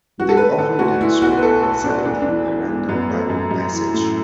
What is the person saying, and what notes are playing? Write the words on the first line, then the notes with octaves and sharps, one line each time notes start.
They often did so by selecting a random Bible passage.
F#4
A4
A3 B4
D3 A4
D2 F#4
D2 E4
B1 F#4
B4
B2 A4
A3 A4
B1 D4
E2 D4
B3
E3 D4
E2
E2
F#2 B3
A3
F#2
F#2
E3
A2